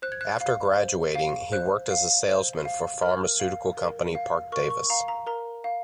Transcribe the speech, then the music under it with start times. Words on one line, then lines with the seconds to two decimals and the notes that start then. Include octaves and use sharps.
After graduating, he worked as a salesman for pharmaceutical company Parke-Davis.
0.02 C5 F#6
0.12 G#6
0.21 F#6
0.41 F5
0.77 C5
1.15 F5
1.52 C5 F#6
1.91 F5
2.28 C5
2.65 F5
3.02 A#4 F6
3.40 F5
3.77 A#4
4.15 F5
4.52 A#4 C#6
4.70 C#6
4.90 F5 A#5
5.08 A#5
5.27 A#4 A#5
5.64 F5